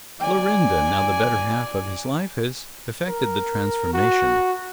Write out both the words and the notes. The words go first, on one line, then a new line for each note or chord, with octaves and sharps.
Florinda--now the better half of his life--has effected the transformation.
D5 G#5
A#4
F#4